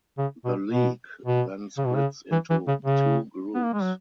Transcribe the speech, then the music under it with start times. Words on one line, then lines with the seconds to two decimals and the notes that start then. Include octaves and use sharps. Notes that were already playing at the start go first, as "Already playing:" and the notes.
The league then splits into two groups.
0.18 C#3
0.45 B2
0.72 B2
1.26 B2
1.78 C#3
1.86 B2
1.94 C#3
2.32 E3
2.50 E3
2.68 C#3
2.85 C#3
3.55 B3
3.63 A#3
3.73 G#3
3.82 F#3